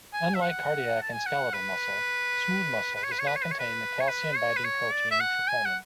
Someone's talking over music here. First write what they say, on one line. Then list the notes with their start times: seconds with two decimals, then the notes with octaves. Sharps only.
Unlike cardiac and skeletal muscle, smooth muscle does not contain the calcium-binding protein troponin.
0.13 G#5
0.34 E5
0.41 F#5
1.02 A5
1.14 G#5
1.26 F#5
1.54 B4
2.95 B4
3.03 C#5
3.11 B4
3.19 C#5
3.27 B4
3.36 C#5
3.43 B4
3.51 C#5
3.60 B4
4.00 C#5
4.08 B4
4.36 C#5
4.56 B4
4.64 C#5
4.92 D5
5.11 E5
5.20 F#5
5.48 G#5
5.65 F#5